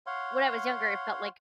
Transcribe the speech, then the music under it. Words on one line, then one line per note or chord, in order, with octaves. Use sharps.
When I was younger, it felt, like,
C#5 F5 F#5 C6